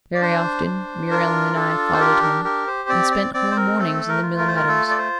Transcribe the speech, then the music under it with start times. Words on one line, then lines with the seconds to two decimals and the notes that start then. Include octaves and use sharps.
Very often Muriel and I followed him, and spent whole mornings in the mill meadows.
0.15 D5
0.21 D4 C5
0.66 D4
1.11 F4 A#4
1.55 D4 A4
1.93 C5
2.00 G4 A#4
2.23 A#4
2.45 G4 A#4
2.67 C5
2.89 C4 D5
3.11 D5
3.34 C4 D5
3.51 C5
3.56 A#4
3.79 A3 A4
4.09 A#4
4.23 F4
4.38 A#4
4.47 C5
4.56 A#4
4.68 A3 A4
4.91 D5
4.98 C5